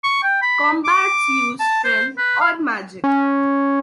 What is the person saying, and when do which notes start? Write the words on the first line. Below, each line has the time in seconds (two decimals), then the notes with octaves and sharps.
Combats use strength or magic.
0.04 C#6
0.23 G5
0.42 B5
0.84 D6
1.60 A5
1.84 C5
2.18 B4
2.41 F5
3.04 C#4